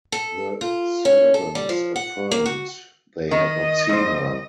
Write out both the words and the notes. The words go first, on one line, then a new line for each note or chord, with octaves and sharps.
The servants affirmed they had not seen her.
A4
F4
C#4
A4
G3
F3
F#5
A#3
F#4
D#3 D#4 D#5
F2 C5